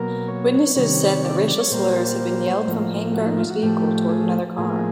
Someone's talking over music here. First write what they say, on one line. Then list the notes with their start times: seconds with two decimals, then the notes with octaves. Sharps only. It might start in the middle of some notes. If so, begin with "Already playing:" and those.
Witnesses said that racial slurs had been yelled from Hangartner's vehicle toward another car.
Already playing: B2 F#3 A#3 A#4
0.28 C#5
0.76 C3 D#3 G3 C#5
1.24 D5
1.36 C#5
1.48 D5
1.60 C#5
1.71 A#2 G3 A#3 C5
2.67 A2 F3 A#3
3.14 F#4
3.26 D#4
3.38 F4
3.50 F#4
3.62 A2 F3 A3 G4
4.09 G#4
4.57 A2 F3 A#3 G#4